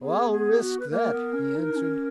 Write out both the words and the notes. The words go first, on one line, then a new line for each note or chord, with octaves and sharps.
"I'll risk that," he answered.
B3 G#4
G#4
F#4
B4
A#3 A#4
B3
C#4
D#4
D#4
C#4